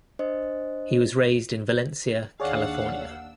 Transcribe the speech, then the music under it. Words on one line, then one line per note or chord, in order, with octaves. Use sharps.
He was raised in Valencia, California.
D4 C5 D#5
D#2 D4 G#4 C#5 D5 F5 F#5 E6